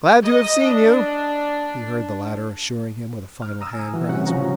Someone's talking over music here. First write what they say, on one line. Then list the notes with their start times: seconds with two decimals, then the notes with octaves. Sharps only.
"Glad to have seen you," he heard the latter assuring him with a final hand-grasp.
0.23 D#5
0.62 D4
3.42 F6
3.61 A#5 D#6 E6
3.73 G#5
3.94 E3 F#4
4.08 A2 C3 G3 C#4 F#5
4.27 C#3 F3 C#4 F#4 A#5